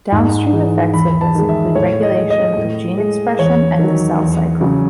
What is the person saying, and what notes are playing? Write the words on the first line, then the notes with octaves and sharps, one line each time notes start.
Downstream effects of this include regulation of gene expression and the cell cycle.
G#2
E3 G#3
E2 B5
A5
D#3 G#3
E5
A2 C#5
D#5
G#3
D#5
A2
G#3
E2 C#5
D#3 F#3
E2
C#3 F#3